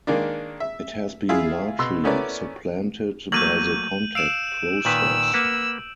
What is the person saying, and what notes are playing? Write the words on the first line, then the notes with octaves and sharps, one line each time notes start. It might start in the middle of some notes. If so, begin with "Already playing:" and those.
It has been largely supplanted by the contact process.
D#3 G#3 A#3 D4
E5
E4 F4 G#4 E5
B2 C6 E6
A3 B3 C#4 E4 A#4 D5
F#3 A3 A#3 G6 D#7 F#7
F5 E6 D7 E7
A#2 D#3 B4 E6 F#7
A#3 B4 F#5